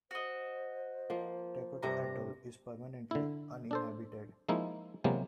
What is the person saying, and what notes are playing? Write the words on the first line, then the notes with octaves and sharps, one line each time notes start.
Tepoto Atoll is permanently uninhabited.
F#4 C5 D#5
F3 A#3
G2 C3 D4 A#5
D3 E4
D4 A4 C5
F3 G#3 A#3 D#4 E4
C3 E3 F#3 G#3 A#3 B3